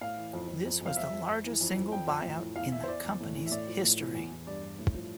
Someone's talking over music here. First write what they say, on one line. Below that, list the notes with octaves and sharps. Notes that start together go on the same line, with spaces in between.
This was the largest single buy-out in the company's history.
A2 F5
E3
F2
F2
F2
F2 F5
F2 E5
F2
F2
E3
F2
F2
F2 G5
F2
A2
E3
E2 F5
E3 E5
C5
E2 D5
E2
A2
E3
E5
A2 D5
F3
A2
E3
E2
E2
G2 D5
G2
A2
F3